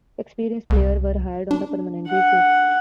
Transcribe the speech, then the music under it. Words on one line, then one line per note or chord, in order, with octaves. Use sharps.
Experienced players were hired on a permanent basis.
C2
D4
F#5